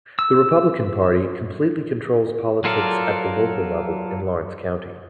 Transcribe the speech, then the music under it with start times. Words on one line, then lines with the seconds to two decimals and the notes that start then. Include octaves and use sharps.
The Republican Party completely controls politics at the local level in Lawrence County.
0.19 E6
2.64 F#3 F4 A4 A#4 D5